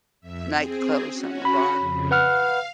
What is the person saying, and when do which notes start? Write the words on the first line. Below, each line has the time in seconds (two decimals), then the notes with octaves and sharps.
nightclub or something or bar.
0.21 F2 E5
0.53 C4 G#4
1.11 C#4 F#4
1.45 B5
1.77 F2 C#3
2.11 B4 F5 F#5 F6